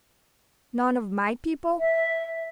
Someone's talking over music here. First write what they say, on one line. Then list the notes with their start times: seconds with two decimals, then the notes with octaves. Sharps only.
'None of my people?
1.79 E5